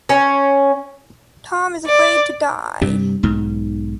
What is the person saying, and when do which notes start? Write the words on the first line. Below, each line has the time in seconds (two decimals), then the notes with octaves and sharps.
Tom is afraid to die.
0.09 C#4
1.87 D5
2.81 G2 C3 G3
3.23 B1 G#2